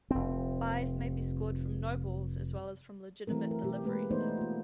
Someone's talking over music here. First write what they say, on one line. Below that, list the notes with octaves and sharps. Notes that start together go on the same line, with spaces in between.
Byes may be scored from no balls as well as from legitimate deliveries.
F1 C4
E3 F#3 A3 C4 A#4
A#4
B2 G4
G#3 A#3 G4 B4
E3 A3 B3 D#4 C5 D5
A#3 F4